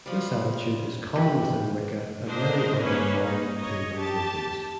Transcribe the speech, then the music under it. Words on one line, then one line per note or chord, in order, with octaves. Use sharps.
This attitude is common within Wicca and many other modern pagan religions.
F3 G3
E3 G4 B4
D4 A#4 C5 D#5
A#3 C#4 B4 C#5
D#4
C#5 D#5
G4 A5